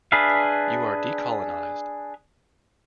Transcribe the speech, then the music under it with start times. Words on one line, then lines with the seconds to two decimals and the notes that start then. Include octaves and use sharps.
You are decolonized.
0.12 D4 G#4 B4 E5 F5